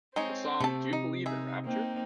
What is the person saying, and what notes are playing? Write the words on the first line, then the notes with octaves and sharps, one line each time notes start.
The song Do You Believe in Rapture?
G#3 C4 D#4 C#5
C3 A3 A5
D#4
D#4 G#4 E5
A#3 C4 D#4